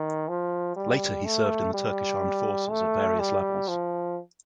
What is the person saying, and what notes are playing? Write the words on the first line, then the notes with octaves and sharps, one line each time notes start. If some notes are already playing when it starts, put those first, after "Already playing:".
Later he served in the Turkish Armed Forces at various levels.
Already playing: D#3
F3
G3
A3
G3
A3
G3
F3